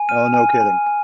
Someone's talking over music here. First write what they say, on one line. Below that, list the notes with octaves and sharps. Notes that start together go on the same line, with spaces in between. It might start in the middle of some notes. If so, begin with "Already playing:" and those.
Oh, no kidding.
Already playing: G#5
F6 D#7
G#5
G#5
G#5